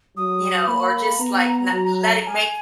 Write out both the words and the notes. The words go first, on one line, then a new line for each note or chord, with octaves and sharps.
you know, or just, like, na letti maki
F#3 D#6
A#3 B5
B3 A#5
F#3
A#5
G#5